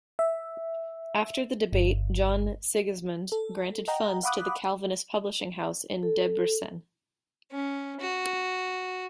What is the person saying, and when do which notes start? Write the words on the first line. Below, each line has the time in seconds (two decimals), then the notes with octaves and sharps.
After the debate John Sigismund granted funds to the Calvinist publishing house in Debrecen.
0.19 E5
1.73 G1
3.32 A4
3.88 D#5 F#5 G5 A#5
4.23 F5 F#5 B5 D6 D#6 F#6
6.03 A4
7.51 C#4
8.00 F#4